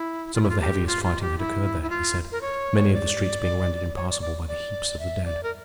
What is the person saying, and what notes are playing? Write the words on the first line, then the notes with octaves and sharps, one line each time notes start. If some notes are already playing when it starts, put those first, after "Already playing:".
Some of the heaviest fighting had occurred there, he said, many of the streets being rendered impassable by the heaps of the dead.
Already playing: E4
F4
E4
F4
G4
F4
F4
G4
E4
E4
F4
A#4
C#5
D5
C#5
D5
D5
D5
E5
D5
A#4